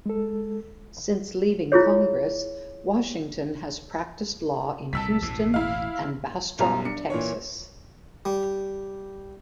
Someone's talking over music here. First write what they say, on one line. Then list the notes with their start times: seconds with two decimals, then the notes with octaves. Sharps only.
Since leaving Congress, Washington has practiced law in Houston and Bastrop, Texas.
0.06 G#3 A4
1.72 E4 F4 G#4 C#5
4.93 C2 A#2 A5 E6 B6
5.22 A1 E2 B2
5.54 E4 F5
6.59 B1 F#2 G3 F4 C5 A#5
6.85 D4 C#7
7.10 A#2 E3 C#5
8.25 G3